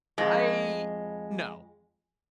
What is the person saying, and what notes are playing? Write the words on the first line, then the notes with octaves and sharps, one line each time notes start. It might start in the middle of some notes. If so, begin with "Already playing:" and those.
I no.
F2 G#3